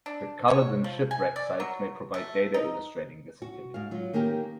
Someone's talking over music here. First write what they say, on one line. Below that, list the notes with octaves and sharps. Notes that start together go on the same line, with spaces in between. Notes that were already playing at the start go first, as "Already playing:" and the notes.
The Culloden shipwreck site may provide data illustrating this activity.
D4
C#5
F3
G#5
D5
F#3
A3
D#4
F#4
G#2 F5
F#3 F4
D#3 A#3 C#4 G4 A#4